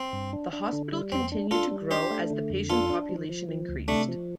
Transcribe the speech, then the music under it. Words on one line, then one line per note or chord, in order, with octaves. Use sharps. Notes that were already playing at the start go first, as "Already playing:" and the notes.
The hospital continued to grow as the patient population increased.
Already playing: C4
G2
D4
D4
D3
G3
F2 C4
D4
D4 F4 A4
G3
D4 G4 C5
A3
D3
F2
D4 F4 A4
D4
F3
F3
F3
D2
C3 A3 D4
F3